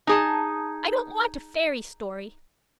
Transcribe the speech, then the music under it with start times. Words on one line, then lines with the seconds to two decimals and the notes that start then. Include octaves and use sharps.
I don't want a fairy story.
0.07 D#4 G#4 A5